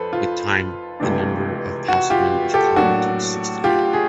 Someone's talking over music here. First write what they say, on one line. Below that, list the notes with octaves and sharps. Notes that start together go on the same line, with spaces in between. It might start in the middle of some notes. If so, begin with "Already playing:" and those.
With time, the number of passive members climbed to sixty-eight.
Already playing: F2 F3 A4 B4 C5
F4
C#2 C3 E3 A3 D4
F#4
F4 G4
G4 A4
A2 F#3 A#3 D4 F#4
F4 G4
G#4